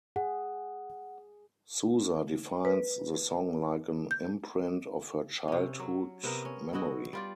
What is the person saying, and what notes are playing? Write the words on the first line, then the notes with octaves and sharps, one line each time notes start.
Souza defines the song like an imprint of her childhood memory.
G#4 F#5
B4
G6
C3 C#4
F#3
C3 B3 A#4
C#4
B3 E4 F#4 D#5
G3 F4 D5